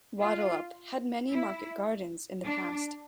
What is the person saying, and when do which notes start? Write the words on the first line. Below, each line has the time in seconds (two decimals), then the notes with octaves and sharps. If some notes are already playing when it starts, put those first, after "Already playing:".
Wattleup had many market gardens in the past.
0.19 F4
1.31 E4
2.44 D4